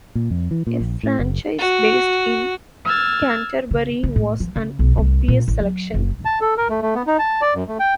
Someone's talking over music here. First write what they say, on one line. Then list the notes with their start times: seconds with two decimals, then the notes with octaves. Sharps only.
A franchise based in Canterbury was an obvious selection.
0.15 A#2
0.30 F2
0.51 E3
0.67 A#2
0.81 A#1
1.03 A2
1.19 F#1
1.58 F#4
2.84 E6 F6 G#6 A6
3.71 C#3
4.03 C#3
4.16 A2
4.40 F3
4.56 C#3
4.79 B1
4.98 C2
5.28 A#2
5.48 A1
5.60 F#3
5.94 F#1
6.25 A5
6.41 A4
6.57 A#4
6.70 A3
6.82 A3
6.95 B3
7.07 D#4
7.19 A5
7.41 D5
7.55 F#2
7.68 A3
7.80 G5